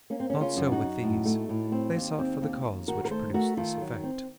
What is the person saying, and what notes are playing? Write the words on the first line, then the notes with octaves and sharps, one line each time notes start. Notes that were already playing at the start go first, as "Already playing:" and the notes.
Not so with these; they sought for the cause which produced this effect.
A#3 C#4
C4
C#4
C#3
C#4 F4
F#2
D#4 F#4
F#2
A2
A3
A2
C4
D#2
C4
D#2
D#2
D#3 F#4 A#4
A#4
A3 A4 C5
A3 F#4 A#4
D#3 F4 A4
F#3
C4